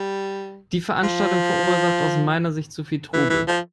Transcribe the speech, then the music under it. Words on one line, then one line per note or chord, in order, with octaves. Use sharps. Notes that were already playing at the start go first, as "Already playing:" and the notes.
Die Veranstaltung verursacht aus meiner Sicht zu viel Trubel.
Already playing: G3
F3
E3
E3
F3